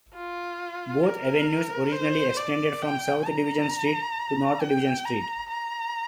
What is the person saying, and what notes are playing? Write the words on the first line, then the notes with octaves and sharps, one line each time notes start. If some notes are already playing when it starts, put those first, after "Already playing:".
Both avenues originally extended from South Division Street to North Division Street.
F4
A#4
C5
D5
G5
A#5
G5
A#5
A#5